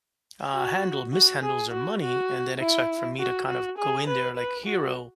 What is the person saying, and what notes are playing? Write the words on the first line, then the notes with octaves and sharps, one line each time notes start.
uh, handle mishandles their money and then expect for me to kind of go in there, like, hero
F#4
F#4
G#4
F#4
F#4
E4
F#4
F#4
G#4
B4
B4
F#4